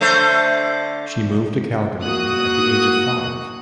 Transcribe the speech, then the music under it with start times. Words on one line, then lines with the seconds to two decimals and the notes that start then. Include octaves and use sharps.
She moved to Calgary at the age of five.
0.01 D3 A3 C5
2.02 A#3 F#4 D#6 F#6